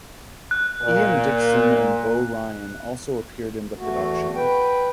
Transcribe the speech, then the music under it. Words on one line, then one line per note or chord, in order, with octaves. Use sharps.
Ian Dickson and Beau Ryan also appeared in the production.
F#6
A#2
E2 A3 F#4
B4 G5